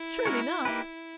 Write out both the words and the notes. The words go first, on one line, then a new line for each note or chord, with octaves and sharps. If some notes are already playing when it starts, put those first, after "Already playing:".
"Surely not?"
Already playing: E4
G#3 C#4 F#4 A#4 C#5
A#3 D#4 G4 B4